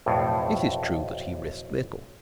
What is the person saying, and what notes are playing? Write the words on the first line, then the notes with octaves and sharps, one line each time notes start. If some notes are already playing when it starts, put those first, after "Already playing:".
It is true that he risked little.
B1 F2 A2